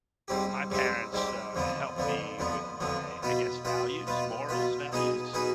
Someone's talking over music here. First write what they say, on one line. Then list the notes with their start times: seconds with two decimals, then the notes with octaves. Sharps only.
eh, my parents, uh, helped me with my, I guess, values, morals, values,
0.28 G#2 G3 C4 G4
0.70 G#2 G3 C4 G4
1.13 G#2 G3 C4 G4
1.55 F2 D3 F3 B3
1.97 F2 D3 F3 B3
2.39 F2 D3 F3 B3
2.80 F2 D3 F3 B3
3.22 B2 B3 F4 B4
3.65 B2 B3 F4 B4
4.07 B2 B3 F4 B4
4.49 B2 B3 F4 B4
4.92 B2 B3 D#4 G#4 B4
5.34 B2 B3 D#4 G#4 B4